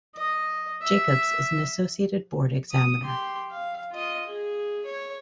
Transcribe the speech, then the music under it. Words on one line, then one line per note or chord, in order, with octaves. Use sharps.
Jacobs is an Associated Board examiner.
D#5
E5
D#6
G4 C6
F5
F4 D#5
G#4
C#5